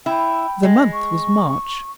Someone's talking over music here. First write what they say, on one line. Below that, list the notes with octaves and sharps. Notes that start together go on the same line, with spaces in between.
The month was March.
E4 G5
G#3
C#6